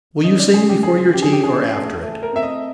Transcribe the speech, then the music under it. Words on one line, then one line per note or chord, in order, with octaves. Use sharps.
"Will you sing before your tea, or after it?"
C#3 D#5
D5
C#3 G#4
G4
C#3 G#4
C#3 G4
G#4
G4
F3 G#4
A3
A3
A#4
C4 E5
D#5